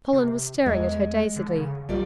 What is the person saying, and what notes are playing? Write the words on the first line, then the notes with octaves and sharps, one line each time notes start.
Colin was staring at her dazedly.
C3
E2 G#3
D3
C#3
B1 G3 F4 D5